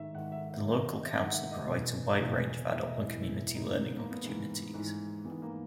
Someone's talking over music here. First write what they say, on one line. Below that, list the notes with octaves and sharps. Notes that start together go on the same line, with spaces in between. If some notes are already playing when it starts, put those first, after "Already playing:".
The local Council provides a wide range of adult and community learning opportunities.
Already playing: G#2 D#3 E5
G#2 D#3 F#5
E5
E5
G#2 D#3 C#5
A#4
D#5
E5
G#2 D#3 F#5
E5
D#5
E2 B2
E2 B2
E2 B2 E5
D#5
E4
E2 B2 E4
E4
D#4
G#2 E3 C#4
B3
A#3
B3
G#2 E3
G#2 E3
G#2 E3 B3
A#3